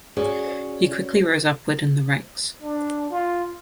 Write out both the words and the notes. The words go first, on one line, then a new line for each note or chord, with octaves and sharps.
He quickly rose upwards in the ranks.
C#4 F#4 G#4 C#5 D5
D4
F4